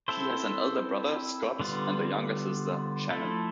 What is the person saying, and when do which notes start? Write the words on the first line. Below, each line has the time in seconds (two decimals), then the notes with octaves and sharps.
He has an elder brother, Scott, and a younger sister, Shannon.
0.08 C4 E4 A4 C5
1.60 D3 G3 B3 F4
3.10 F3 A3 E4 A4